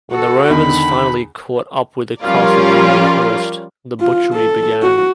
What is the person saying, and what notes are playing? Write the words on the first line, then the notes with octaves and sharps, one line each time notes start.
When the Romans finally caught up with the Carthaginian host, the butchery began.
F#4 A4
E2 D3 D#3 B5
F3 G3 C#4 F4 A#4 D5
F4
A4
F#4